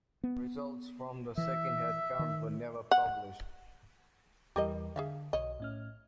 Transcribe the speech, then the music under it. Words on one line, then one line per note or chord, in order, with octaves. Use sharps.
Results from the second head count were never published.
B3
E3 E5
D#3
F#5
E2 E3 G3 G4 A#4 D#5
D3 G#4 E5 F5
B1 C#5 D#5
A2 C#4 F6